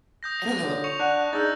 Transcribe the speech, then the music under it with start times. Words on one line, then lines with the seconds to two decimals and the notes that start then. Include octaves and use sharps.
I don't know,
0.23 D#6 G6 A#6
0.63 D3 F4 C#5
0.84 C#6 C#7 F7
1.00 D4 F#5 F#6
1.33 D4 D#4 G#4 A5 E6 G6 A6